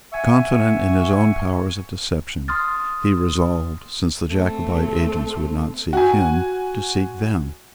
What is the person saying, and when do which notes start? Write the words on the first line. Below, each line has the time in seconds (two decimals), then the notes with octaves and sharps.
Confident in his own powers of deception, he resolved, since the Jacobite agents would not seek him, to seek them.
0.13 E5 F#5 G#5 C#6
2.48 C6 D#6 F6 A6
4.30 A3 C4
5.93 F#4 G#5